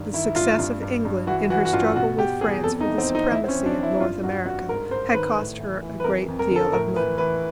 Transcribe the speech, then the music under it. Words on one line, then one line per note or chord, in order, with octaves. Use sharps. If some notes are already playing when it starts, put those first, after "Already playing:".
The success of England, in her struggle with France for the supremacy of North America had cost her a great deal of money.
Already playing: G2 D#3
D#3 E4
G2 F4
G2
G2
G2
E3 F#4
E3 F#4
F#4
G2 F4
B2 F#4
B2 G4
E2 G#4
F2 A4
D#4
E3
C4
F2
D#4
F2 E4
C4
C#4
F2
D4
F2
E4
G2 F4
G2 F#4
G2 F#4
G#2 A#4
G#2 C5
D#3 B4
A2
E3
E3
B4
F2 A#4
F2
A#4
D3
A4
A2 A#4
E3 B4
E3 B4